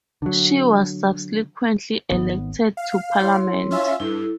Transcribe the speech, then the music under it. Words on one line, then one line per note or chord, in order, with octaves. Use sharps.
She was subsequently elected to parliament.
D3 F#3
G#1 B3
F5
E4 C#5 C6
C#4 F4 E5
G2 E4 A4